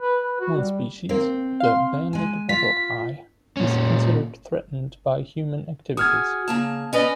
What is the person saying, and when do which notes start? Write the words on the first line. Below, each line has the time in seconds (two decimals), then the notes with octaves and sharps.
One species, the banded wattle-eye, is considered threatened by human activities.
0.01 B4
0.24 B4
0.40 F#4
0.57 G3
1.09 D#2 A#3 C4
1.60 F5 C6
2.13 G#3 G#5
2.49 F4 B6
3.57 A#2 C#4
5.97 F#4 G#4 D#6 F6 G#6
6.48 C#3 A#3 A5
6.93 C#4 B4 D5 D#5